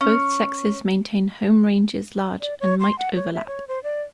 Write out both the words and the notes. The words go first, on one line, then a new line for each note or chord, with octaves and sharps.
Both sexes maintain home ranges large, and might overlap.
C#4
D5
C#5
C6
F#5
C#5
E5
C#5
C5
D5